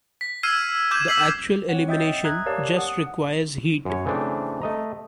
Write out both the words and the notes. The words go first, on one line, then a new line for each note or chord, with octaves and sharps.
The actual elimination just requires heat.
B6
E6 F6 G#6 C7 D#7 E7
D6 G6 G#6 E7
E6 B6 C7 F#7
C4 C#5 F#5
D#5 E5 G5 D#6 G6 A6
E5 A#5 D#6 F#6 G#6
G4 A#4 C#5 D5 F5 A5
F#5 D#6
F#2 C#5
C#3 E3 A3 C4 D4
A3 D#5 A#5